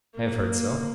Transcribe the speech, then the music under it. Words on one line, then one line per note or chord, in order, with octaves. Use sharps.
"I have heard so."
A#3
A#3